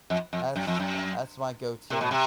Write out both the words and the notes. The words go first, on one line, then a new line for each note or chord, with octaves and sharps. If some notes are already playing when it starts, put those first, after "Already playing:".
that's that's my go-to.
F2
F2
F#2
F2
F#2
C3
B2
C3